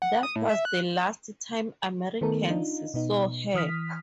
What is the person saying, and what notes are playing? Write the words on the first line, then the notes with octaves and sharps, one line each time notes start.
That was the last time Americans saw her.
F#5
D#6
A2
E5
F#6
D#3 A3 B3 D#4 A4 A#4
D4 D#4 F4
B2 B3 D#4
E3 D#6 F6 B6